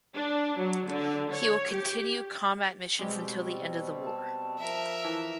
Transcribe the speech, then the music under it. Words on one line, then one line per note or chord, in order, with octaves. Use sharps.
He will continue combat missions until the end of the war.
D4
F#3
D3
C#5
G4
B2 G3 G#3 C4 G4
A5
F3 A#4 E5
E3 E6